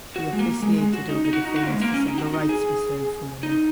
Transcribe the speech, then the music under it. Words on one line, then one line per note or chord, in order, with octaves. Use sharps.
She officiated over the famous December rites reserved for women.
F#4
G#3
A#3
G#3
G#3
F#4
D#4
D#4
F#4
D#4
F#4
G#3
A#3
C#4
D#4
F#4
D#4
G#4
D#4